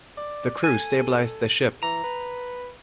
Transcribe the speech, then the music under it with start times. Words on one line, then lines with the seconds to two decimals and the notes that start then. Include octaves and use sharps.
The crew stabilized the ship.
0.17 D5
0.64 A4 G#5
1.83 E3 A#5
2.04 B4